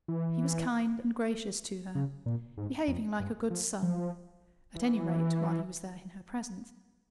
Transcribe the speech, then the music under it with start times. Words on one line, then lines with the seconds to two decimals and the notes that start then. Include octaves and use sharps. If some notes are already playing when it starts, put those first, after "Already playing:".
He was kind and gracious to her, behaving like a good son, at any rate while he was there in her presence.
0.08 E3
1.95 C#3
2.26 A#2
2.58 G#2
2.88 F2
3.20 G2
3.50 F3
3.83 F3
4.76 E3